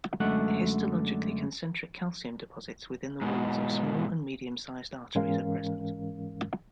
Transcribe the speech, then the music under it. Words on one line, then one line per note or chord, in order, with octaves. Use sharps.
Histologically concentric calcium deposits within the walls of small and medium-sized arteries are present.
F#2 D3 G#3 A3 F#5
G#2 B2
G#2 E3 G#3 C#4 A#4 F5